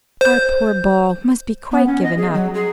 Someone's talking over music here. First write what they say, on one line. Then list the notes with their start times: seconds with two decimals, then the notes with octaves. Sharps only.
"Our poor ball must be quite given up."
0.21 C5 G6
1.71 B3
1.86 C#4
2.03 D#5
2.17 G#4
2.33 F#3
2.54 G#4